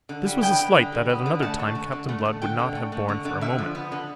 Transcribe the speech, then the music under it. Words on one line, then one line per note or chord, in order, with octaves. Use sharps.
This was a slight that at another time Captain Blood would not have borne for a moment.
D3
G3
B3 G5
D3
D3
G3
B3
D3
A3 A5
A3
D3
D3
A3
A3
D3 G5
D3
A3
A3
D3
D3
D3 E5
F3
B3
D3